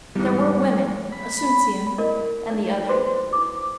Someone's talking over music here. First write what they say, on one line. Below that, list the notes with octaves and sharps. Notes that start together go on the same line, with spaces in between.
There were women, Asuncion, and the other.
E2 G#2 G3
B5
E4 A#4 D5 D#5
D#4 D5
F#4 B4 C5 C6
E4 D6